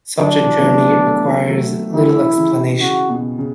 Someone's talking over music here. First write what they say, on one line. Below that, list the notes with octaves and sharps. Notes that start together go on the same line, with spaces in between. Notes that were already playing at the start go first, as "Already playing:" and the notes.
Such a journey requires little explanation.
D3 F#3 D4
E3 G3
B3
F#3 A3
G3 B3
A3
B3
F#3 A3
F#3 A3
E3 G3 E4
C#3 E3
C#3 F#4
B2
C#3